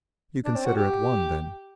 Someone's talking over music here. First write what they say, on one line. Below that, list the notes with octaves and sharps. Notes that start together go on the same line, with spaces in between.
"You consider it won then?"
D4
C4
F#4
G4